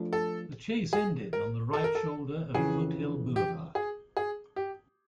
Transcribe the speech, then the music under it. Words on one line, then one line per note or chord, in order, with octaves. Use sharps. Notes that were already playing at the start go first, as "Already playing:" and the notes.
The chase ended on the right shoulder of Foothill Boulevard.
Already playing: F3 A3 D4
A4
G#4
A#4
A4
A#4
A4
F2 C#3 E3 G#4
G4
G#4
G#4
G4